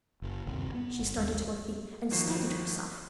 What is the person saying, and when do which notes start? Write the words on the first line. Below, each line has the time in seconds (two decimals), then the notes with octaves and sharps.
She started to her feet, and steadied herself!
0.22 F#1
0.47 G1 D#2 C3
0.74 B3
0.99 G1
1.17 A1 D#2 G#3
2.11 G1 D#3 F3 F#4 C5 C7